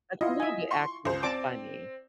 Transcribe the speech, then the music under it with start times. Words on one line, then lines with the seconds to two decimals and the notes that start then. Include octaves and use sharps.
That's a little bit actually funny.
0.21 E4 F4 D#5
0.40 E5 G#5
0.71 C6 C#6
1.05 C#2 C5
1.23 C4 D5 A5 D6